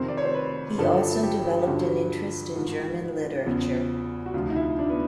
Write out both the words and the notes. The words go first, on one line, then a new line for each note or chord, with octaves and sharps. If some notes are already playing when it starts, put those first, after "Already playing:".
He also developed an interest in German literature.
Already playing: F2 C3 D#3 C5
D5
C#5
C5
B4
G2 D3 F3 A4
G4
G4
G2 D3 F3 F#4
G#2 F3
E2 C#3 F3
F#4
D2 C3 F3 F4
D#4
E4
D4
B3